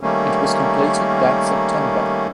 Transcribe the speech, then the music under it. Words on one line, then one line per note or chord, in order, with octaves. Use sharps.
It was completed that September.
D#3 G3 A3 A#3 C#4